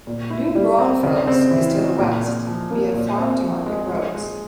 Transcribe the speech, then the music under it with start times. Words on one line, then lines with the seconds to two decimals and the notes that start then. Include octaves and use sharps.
New Braunfels is to the west via Farm-to-Market Roads.
0.07 A#2
0.30 E4
0.55 G3
0.79 C4
1.03 C#3
1.27 C4
1.51 E3
1.75 G#3
1.99 A#2
2.23 A#2
2.47 F3
2.71 A#3
2.94 A#2
3.18 C4
3.42 F3
3.66 G#3
3.91 G#3
4.15 G#3